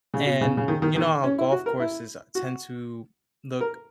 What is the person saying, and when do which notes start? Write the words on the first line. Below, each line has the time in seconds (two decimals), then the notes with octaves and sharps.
and, you know how golf courses, uh, tend to look
0.14 C#3
0.26 B2
0.41 C#3
0.57 C#3
0.68 D#3
0.82 D#3
0.96 D#3
1.24 C#4
1.38 E4
1.52 F#4
1.66 A#4
1.80 E4
2.35 F#4
3.61 A#4